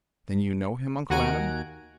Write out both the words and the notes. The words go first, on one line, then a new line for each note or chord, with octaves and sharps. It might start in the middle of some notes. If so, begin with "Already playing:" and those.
Then you know him, Uncle Adam?
D#2 F#4 F#5 G#5 A#5 D7